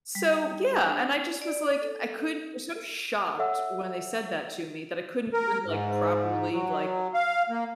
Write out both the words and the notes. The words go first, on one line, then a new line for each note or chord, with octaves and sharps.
so yeah, and I just was, like I couldn't was so shocked when they said that to me that I couldn't even, like, properly, like
G3
D4
D5
A4
A4 C#5 E5 F#5 E6
A#4
G#2
F#3
F5
A#3